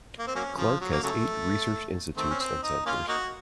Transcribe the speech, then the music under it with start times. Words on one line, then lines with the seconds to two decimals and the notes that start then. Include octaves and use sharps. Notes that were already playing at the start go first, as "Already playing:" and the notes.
Clark has eight research institutes and centers.
0.19 A#3
0.27 C4
0.35 F#3 A#3 C#4
0.57 C#3 F3
0.80 F#3
0.92 A#3
1.03 C#3 F#3 A3
2.17 D#3 A3 C4
2.30 C#4
2.39 C4
2.63 D#4
2.86 A#3 C#4 F4
3.08 A#3 D#4 F#4